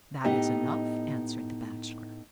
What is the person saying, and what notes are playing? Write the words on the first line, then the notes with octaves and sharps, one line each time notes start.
"That is enough," answered the Bachelor.
A2 B3 D#4 G4 D#5 G5